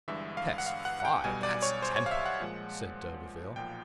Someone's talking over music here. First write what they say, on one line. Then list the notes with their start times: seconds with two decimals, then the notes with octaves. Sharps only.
"Tess--fie! that's temper!" said d'Urberville.
0.08 G1 G2 E3 G#3 E5
0.37 F5
0.58 F#5
0.66 F5
0.85 F#5
1.00 F#5
1.05 G5
1.24 B1 B2 G3 G#5
1.43 D5
1.63 C#5
1.82 C5
1.96 C#5
2.06 F5
2.11 E5
2.26 F#5
2.40 A#2 F3 G#3
3.56 B1 A#2 F3 G5